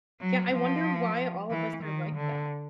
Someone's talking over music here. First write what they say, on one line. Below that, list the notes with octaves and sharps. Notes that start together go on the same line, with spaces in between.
Yeah, I wonder why all of us are like that.
F#3
F3
E3
D#3
D3